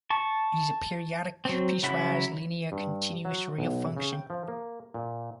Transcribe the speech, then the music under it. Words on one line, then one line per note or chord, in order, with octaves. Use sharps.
It is a periodic, piecewise linear, continuous real function.
A5 C#6
F#3 C4
C#3 F#3 E4 F#5 B5
G2
F#3
B1
C#3
G5
F3
A#3
A#2